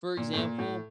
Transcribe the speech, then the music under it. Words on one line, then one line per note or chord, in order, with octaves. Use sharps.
for example,
A#2
A2
A#2
A2